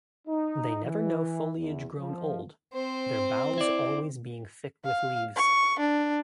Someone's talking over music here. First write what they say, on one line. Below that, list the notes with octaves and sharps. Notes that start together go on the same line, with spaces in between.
They never know foliage grown old, their boughs always being thick with leaves.
D#4
E3
E2
F3
C4 C5
E4 D5
F5
C#6
D4